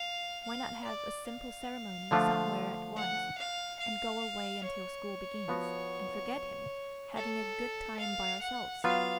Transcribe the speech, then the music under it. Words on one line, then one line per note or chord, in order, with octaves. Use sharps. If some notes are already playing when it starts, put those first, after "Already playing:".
Why not have a simple ceremony somewhere at once, and go away until school begins, and forget him, having a good time by ourselves?
Already playing: F5
F5
D5
F5
D3 F3 A3 D4 F4
F#5
F5
F5
C#5
F3 B3 F#4
A4
F5
F#5
F#3 B3 F4 F5